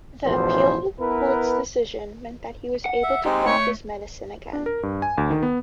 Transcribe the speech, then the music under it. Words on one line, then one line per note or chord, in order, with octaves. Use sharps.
The Appeal Court's decision meant that he was able to practice medicine again.
A1 E2 B2 F3 C5
B3 E4 A#4 B4
F#5
E5
D#2 G#3 C4 D#4 G4
A3 C#5
D4
A#4
G2
G#5
D2
D#3
B3